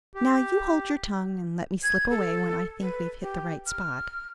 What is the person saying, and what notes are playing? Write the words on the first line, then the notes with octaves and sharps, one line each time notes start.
Now you hold your tongue, and let me slip away when I think we've hit the right spot.
G4
G#6
A4
B4
G4
F6